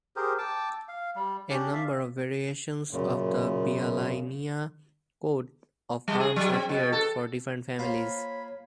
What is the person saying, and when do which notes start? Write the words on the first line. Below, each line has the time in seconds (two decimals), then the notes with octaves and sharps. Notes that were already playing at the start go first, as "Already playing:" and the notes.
A number of variations of the Bialynia coat of arms appeared for different families.
0.16 G4 G#4 A#4 C5
0.38 G5 A5 D6 E6
0.88 F5
1.16 G3
1.50 C#4 D4 G4 D5
1.73 D5 E5 F5
2.91 F#2 A#2 C#3
6.08 G3
6.20 G#4
6.36 F#3
6.53 C4
6.69 B2
6.92 A4
7.79 A#3 F4 C5 C#5 B5